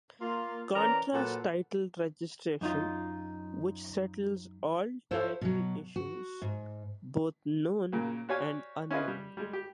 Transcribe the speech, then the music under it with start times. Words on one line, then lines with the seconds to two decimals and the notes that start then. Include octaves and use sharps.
Contrast title registration which settles all title issues, both known and unknown.
0.21 A#3 F4
0.74 E3 C#4 A#4 D5 A#5
1.13 A#2 F#3 A4 B4 F#5
2.61 F#2 D#4 F4
5.11 E4 F4 A4 C5 C#5
5.41 B2 F#3
5.96 F#4
6.42 G#2
7.92 A#2 C#3 F#3 A#3
8.29 F#4 G4 C#5 D5 F5 G#5
8.91 C#4 E4 F4 G#4 B4 D#5
9.08 G3
9.37 G3 G#3
9.53 G4